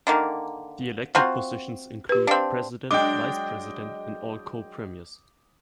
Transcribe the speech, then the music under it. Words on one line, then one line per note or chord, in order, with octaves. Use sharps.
The elected positions include the President, Vice-President, and all Co-Premiers.
D3 D#3 A#3
C4 F4 F#4 A#5
G4 B4
C4 D4 F5
F#3 G#3 D4 D#5 G5 D6